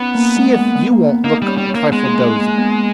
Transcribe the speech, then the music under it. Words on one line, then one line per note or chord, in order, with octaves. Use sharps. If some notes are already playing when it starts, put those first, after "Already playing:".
See if you won't look a trifle dozy.
Already playing: B3 C#4 D#4
A#3
G#3
G#3
G#3
A#3
B3
A#3 D#4
G3
C#4
G3
C#4
A#3
G#3 B3
A#3
B3
A#3
B3